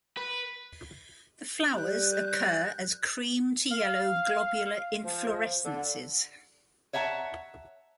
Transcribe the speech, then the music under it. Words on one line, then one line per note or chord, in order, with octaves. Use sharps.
The flowers occur as cream to yellow globular inflorescences.
B4
G3 G4 F#6 G6
F5
F3
D3
C#5 E5 F#5 A5 A#5